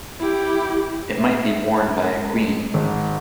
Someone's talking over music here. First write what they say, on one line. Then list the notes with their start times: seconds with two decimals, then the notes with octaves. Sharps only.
It might be worn by a queen.
0.19 E4 G4
1.18 E5
2.13 G#3
2.74 G#1